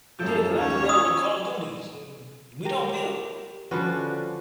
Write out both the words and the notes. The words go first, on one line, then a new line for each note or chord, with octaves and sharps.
Yeah, 'cause I grew up with Call of Duties, and, we don't build.
F#2 F3 A4 G6
D#2 C#4 C#5
D#6 E6 F7
G4 A#4
D3 F3 G3 C#4 F#4 B4